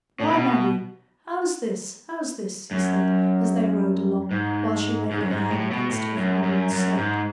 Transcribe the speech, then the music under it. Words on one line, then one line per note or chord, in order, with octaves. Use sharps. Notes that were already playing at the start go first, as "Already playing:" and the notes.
"Why, Maggie, how's this, how's this?" he said, as they rode along, while she laid her head against her father and sobbed.
A2
B2
F#2
G#2
G#2
F#2
G#2
A2
B2
A2
F#2
F#2
F#2
G#2